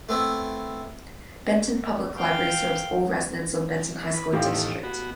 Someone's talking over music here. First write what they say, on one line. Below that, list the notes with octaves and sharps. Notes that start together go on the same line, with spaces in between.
Benton Public Library serves all residents of Benton High School District.
A3 B3 C4 E4
F5 G5
B4
E2 A2 D#3 A3 F4 G4
B3 F#4